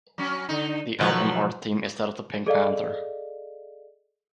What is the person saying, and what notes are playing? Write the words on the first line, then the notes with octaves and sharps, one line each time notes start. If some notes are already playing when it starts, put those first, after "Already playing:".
The album art theme is that of the Pink Panther.
F#3 C#4
D3 D#4
B2 D#3 F3 F#3 A3 B4
G#4 A4 D5 D#5 F5